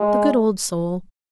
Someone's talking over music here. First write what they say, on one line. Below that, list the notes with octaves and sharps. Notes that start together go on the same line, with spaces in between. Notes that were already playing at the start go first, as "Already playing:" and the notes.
The good old soul!
Already playing: G#3